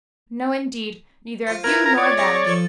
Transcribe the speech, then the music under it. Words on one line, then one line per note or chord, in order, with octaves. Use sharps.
No, indeed, neither of you nor them.
F4 C5
E4 F4 A#4 B4 G#6
A#4 A#5
C#5 D5
C4 G#4 A#6
F3 A4 A6